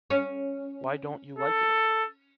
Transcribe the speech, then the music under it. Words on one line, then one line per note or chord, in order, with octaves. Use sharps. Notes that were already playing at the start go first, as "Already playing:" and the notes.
Why don’t you like it?
C#4
A4